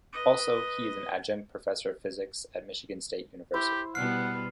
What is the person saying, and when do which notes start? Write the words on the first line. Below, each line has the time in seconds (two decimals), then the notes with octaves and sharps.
Also, he is an Adjunct professor of physics at Michigan State University.
0.13 B4 D#5
3.54 E4 G4 C5
3.95 B2 G3 B3 F#5 F6 C7